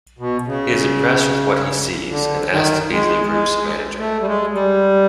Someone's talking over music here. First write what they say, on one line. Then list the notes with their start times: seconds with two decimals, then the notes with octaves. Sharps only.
He is impressed with what he sees and asks to be the group's manager.
0.19 B2
0.46 C#3
2.09 D3
2.50 D#3
2.91 G#3
3.31 G#3
3.99 A3
4.21 G3
4.27 G#3
4.54 G3